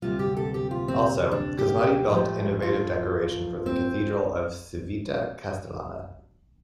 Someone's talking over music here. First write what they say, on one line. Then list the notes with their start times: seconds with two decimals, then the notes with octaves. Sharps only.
Also, Cosmati built innovative decoration for the Cathedral of Civita Castellana.
0.02 D2 C3 G3 F4
0.19 G4
0.37 A4
0.54 G4
0.71 F4
0.88 C4
1.32 D4
1.59 G4
2.10 A2 F3 A3
2.62 F4
3.66 C4